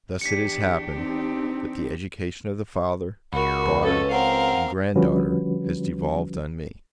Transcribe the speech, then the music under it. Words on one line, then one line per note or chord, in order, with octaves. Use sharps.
Thus it has happened, that the education of the father, daughter, and grand-daughter, has devolved on me.
E2 D4 G4 B6 C#7
C4 D#4
C#2 F#4 A#4 B5
C#4 A4 B4
C4 A#4 F5 F#5
D3 F3 G3 C#4 F#4 B4